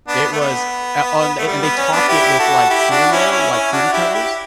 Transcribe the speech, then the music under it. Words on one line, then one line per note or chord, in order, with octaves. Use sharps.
it was at on and they topped it with, like, cereal, like, Fruity Pebbles.
B3 D4
B3
A3
B3
A3
G3
B3
C#4
B3 D4
E4 G4
F#4 A4
E4 G4
D4 F#4
C#4 E4
C#4 E4
C#4 E4
D4 F#4
E4 G4
F#4
E4 G4